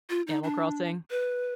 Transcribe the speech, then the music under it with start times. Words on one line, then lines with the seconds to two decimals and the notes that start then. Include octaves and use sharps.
Animal Crossing?
0.10 F4
0.27 D#4
0.44 D4
1.11 B4